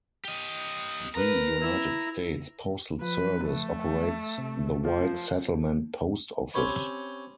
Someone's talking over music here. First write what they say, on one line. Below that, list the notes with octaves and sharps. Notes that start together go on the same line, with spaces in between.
The United States Postal Service operates the White Settlement Post Office.
G4 D#5
A#4 B4 A#5
E4
F3 B4
A3
C3
F3 F4
C4 C#4 G4 C5 C#5 B5